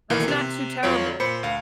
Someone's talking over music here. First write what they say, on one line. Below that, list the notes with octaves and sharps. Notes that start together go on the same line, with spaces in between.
That's not too terrible.
B1 D#3 E3 A#3
C3
F2 F#3 F4 C#5 D7
A#2 C5 B5 C#7
D2 F5